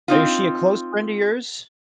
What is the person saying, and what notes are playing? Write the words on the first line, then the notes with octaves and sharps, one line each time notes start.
Uh, is she a close friend of yours?
C4 D#4 F4